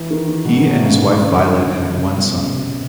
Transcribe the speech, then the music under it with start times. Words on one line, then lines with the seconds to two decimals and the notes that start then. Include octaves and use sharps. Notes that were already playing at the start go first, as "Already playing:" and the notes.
He and his wife Violet had one son.
Already playing: E3
0.11 D#3
0.28 D#3
0.45 B2
0.57 B2
0.70 C3
0.83 C#3
0.96 D3
1.09 D#3
1.21 C#3
1.34 D3
1.46 D#3
1.60 D3
1.72 C#3
1.85 C3
1.98 C#3
2.15 B2
2.32 C#3
2.45 C3
2.58 B2
2.71 C3